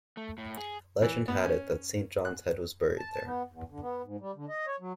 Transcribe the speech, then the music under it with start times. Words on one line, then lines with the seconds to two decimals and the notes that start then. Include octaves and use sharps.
Legend had it that Saint John's head was buried there.
0.17 A3
0.38 A2
0.57 G#4
1.02 E3
1.28 B3
1.44 C#4
2.25 F#6
2.99 A5
3.12 A5
3.25 B3
3.52 E2
3.69 D3
3.82 B3
4.05 G#2
4.20 G3
4.36 D3
4.49 D#5
4.67 C#5
4.80 F#3